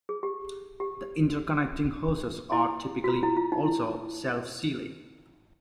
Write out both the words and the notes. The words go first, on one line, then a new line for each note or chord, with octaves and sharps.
The interconnecting hoses are typically also self-sealing.
G#4
G4
G4
E4
F#4
F4
E4
F4
D#4
E4